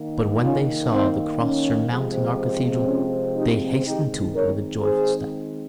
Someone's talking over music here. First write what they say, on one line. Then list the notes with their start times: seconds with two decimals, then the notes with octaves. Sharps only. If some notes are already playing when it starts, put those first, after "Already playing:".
But when they saw the cross surmounting our Cathedral they hastened to it with a joyful step.
Already playing: D#3 A#3
0.41 C#4 F4
0.91 C4 D#4
1.40 C#4
1.88 C3 F3 G#3 C4
2.86 C#4 F4
3.36 D#4 G4
3.85 D#3 G#3 C4 D#4 G4
4.34 A#4 C#5
4.83 G#4 C5